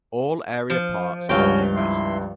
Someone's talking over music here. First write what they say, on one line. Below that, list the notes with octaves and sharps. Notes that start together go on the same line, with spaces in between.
All aerial parts are pubescent.
F3
C#2 G2 C#4 F4 F#4 G5
E4 C6